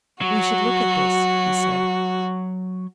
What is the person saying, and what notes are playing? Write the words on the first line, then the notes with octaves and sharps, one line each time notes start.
"We should look at this!" he said.
F#3 F#4